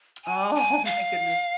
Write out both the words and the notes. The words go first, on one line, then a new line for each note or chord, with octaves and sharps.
Oh, my goodness.
G#5
G#5
F5